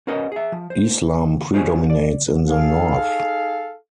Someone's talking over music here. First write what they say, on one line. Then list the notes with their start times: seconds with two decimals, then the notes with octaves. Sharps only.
Islam predominates in the north.
0.07 C#4 F#4 A#4 B4 D#5
0.32 G#4 E5
0.52 F3
0.70 C5
1.53 D4 F4 G4 G#4 C5 C#5
1.90 D5
2.47 D#4 G#4 A4 F5